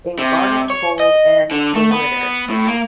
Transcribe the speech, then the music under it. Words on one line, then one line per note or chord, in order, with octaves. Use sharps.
in garnet and gold and glitter.
C3
C#5
D#5
D3
A3
B3
A2
A#3